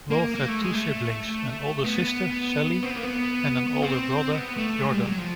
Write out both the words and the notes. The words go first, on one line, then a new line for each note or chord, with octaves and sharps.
Love had two siblings: an older sister, Sally, and an older brother, Jordan.
A#3
A#3
A3
G#3
A3
B3
C4
B3
A#3
B3
C4
B3
A3
G#3
G3
F#3
F3